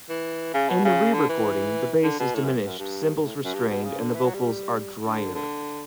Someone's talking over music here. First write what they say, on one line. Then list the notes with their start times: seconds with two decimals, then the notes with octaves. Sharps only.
In the re-recording the bass is diminished, cymbals restrained, and the vocals are "drier".
0.09 E3
0.54 C#3
0.69 B2
0.85 C#3
1.14 D3
1.29 E3
2.04 D3
2.20 B2
2.35 A2
2.45 F#2
2.65 F#2
2.79 G2
3.25 A2
3.45 F#2
3.54 G2
3.70 B2
3.85 C#3
3.99 D3
4.15 E3
4.24 F#3
4.34 G3
5.05 D3
5.35 D3